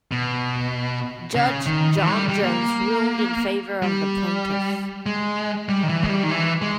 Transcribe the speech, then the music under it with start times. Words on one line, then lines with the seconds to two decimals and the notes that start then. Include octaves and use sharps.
Judge John Jones ruled in favor of the plaintiffs.
0.12 B2
1.35 C#3
1.66 D#3
1.98 E3
2.08 G#3
2.12 G3
2.29 G3
2.44 A#3
3.83 G3
5.06 G#3
5.69 G3
5.83 D#3
5.89 E3
6.03 G#3
6.09 G3
6.23 D#3
6.31 E3
6.62 G#3